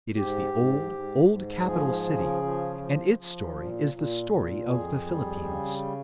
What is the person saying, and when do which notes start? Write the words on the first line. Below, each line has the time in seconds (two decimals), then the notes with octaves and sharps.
It is the old, old capital city and its story is the story of the Philippines.
0.16 G#2 G4
0.54 G#2
0.92 G#2
1.30 G#2
1.66 F3 G#4
2.05 C#3
2.43 F3
2.80 F3
3.18 F3
3.55 A#2
3.93 A#2
4.31 A#2
4.68 F2 G#4
5.06 G3
5.44 C#3